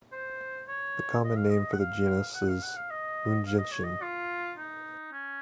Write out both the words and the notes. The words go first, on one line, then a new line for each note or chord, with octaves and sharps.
The common name for the genus is 'Moon-gentian'.
C5
C#5
D#5
F5
D#5
F#5
F5
F#5
F5
F#5
F5
D#5
F5
D#5
C#5
D#5
F4
D#4
C#4